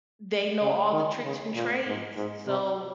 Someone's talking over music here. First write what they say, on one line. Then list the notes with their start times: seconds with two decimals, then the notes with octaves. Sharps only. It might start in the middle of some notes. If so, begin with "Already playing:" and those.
they know all the tricks and trades, so
0.62 C#3
0.93 D#3
1.24 C#3
1.55 A#2
1.86 G#2
2.17 G#2
2.47 C3